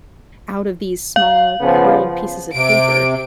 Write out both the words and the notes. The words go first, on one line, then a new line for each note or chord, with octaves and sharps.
out of these small, curled pieces of paper.
F5
C#3 F3 B3
C3 D7